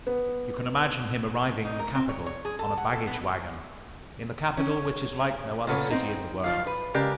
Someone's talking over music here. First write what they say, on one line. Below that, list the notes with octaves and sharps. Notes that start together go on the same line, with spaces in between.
You can imagine him arriving in the capital on a baggage waggon--in the capital which is like no other city in the world!
B3
D#4
A#4
C4
C#5
C#5
G#4
A4
F#5
A4
B3
C#4
A#2 C#3 B3 A4 C#5
C4 D#4
F3 F4 F5
B4
C#3 G#3 G4 A#4 D5